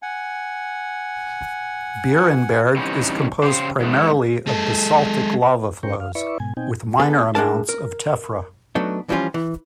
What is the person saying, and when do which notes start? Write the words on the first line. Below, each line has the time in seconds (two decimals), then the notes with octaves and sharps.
Beerenberg is composed primarily of basaltic lava flows with minor amounts of tephra.
0.02 F#5 G#5
2.76 C3 E3 G3 A3 C#4 D#4
3.43 C#3 G4 C5
3.80 E2 G#2 G#3 A3
4.47 G#3 A4
5.83 G#2 C#4 A#4 C5 G5 C#6
6.00 F5
6.15 E4 B4 D5 E5 C#6
6.40 G#2 B2 G#5
6.57 B2 C4 D#4 G5 G#5
7.00 B3 G#4 A4
7.35 A2 G#3 D4 A#4 A5
7.69 A#4
8.75 F#3 A3 B3 D4 D#4
9.09 E3 F3 G3 C#4 F4
9.34 E3